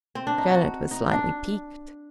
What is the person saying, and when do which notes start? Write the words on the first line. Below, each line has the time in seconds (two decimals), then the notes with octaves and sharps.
Janet was slightly piqued.
0.15 C4
0.27 D4
0.38 D#4
0.50 F#4
0.91 D#4
1.12 D4